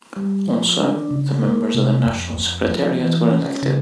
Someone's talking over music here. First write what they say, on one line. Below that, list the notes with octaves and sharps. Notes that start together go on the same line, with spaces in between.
Also, the members of the National Secretariat were elected.
G3
F3
D4
C#3
A#3
C3
F2
F2
F3
E3
C#4
C#3